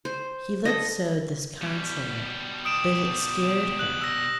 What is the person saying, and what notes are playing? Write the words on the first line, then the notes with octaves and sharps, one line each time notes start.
He looked so disconsolate that it scared her.
C5
A4 D#5
B2 G3
D#6 D7 E7
F#6 F#7
E6 A#6